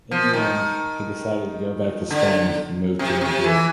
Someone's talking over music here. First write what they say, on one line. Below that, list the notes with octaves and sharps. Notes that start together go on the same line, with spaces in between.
In the end he decided to go back to Spain and moved to Madrid.
F3
D#3
D3
C3
C3
E3